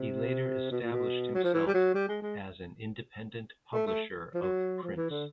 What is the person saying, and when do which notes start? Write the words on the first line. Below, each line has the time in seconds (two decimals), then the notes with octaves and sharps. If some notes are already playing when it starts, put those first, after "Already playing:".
He later established himself as an independent publisher of prints.
Already playing: C3
0.71 B2
0.82 A#2
0.92 B2
1.35 F#3
1.44 F3
1.54 E3
1.67 G3
1.74 F#3
1.95 G3
2.08 G#3
2.22 G#3
3.73 A3
3.87 A3
4.34 F3
4.42 F#3
4.83 F3
4.96 E3
5.10 D3